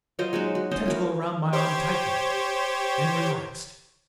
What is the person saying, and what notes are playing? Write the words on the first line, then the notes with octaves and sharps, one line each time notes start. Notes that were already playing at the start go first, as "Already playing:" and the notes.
The tentacle around my arm tightened, then relaxed.
F#3 F4 C5 D#5
F#3 G#3 D#4 F#4
F#4
C#4 C5 D#5
E4 F#4 A#4
G4 C5 C#5